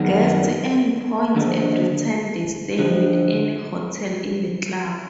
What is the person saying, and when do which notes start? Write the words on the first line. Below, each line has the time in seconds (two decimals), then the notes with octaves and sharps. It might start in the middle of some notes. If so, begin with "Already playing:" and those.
Guests earn points every time they stay with any hotel in the club.
Already playing: F#2 D#3 G#3 B3
1.35 D#2 D3 F3 G#3
2.79 D3 F3